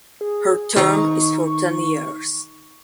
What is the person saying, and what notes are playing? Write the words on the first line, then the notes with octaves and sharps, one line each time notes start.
Her term is for ten years.
G#4
D#3 A#5 C#6